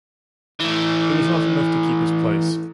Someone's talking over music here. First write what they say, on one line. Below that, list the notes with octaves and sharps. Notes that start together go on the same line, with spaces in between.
It was not enough to keep his place.
E3 A3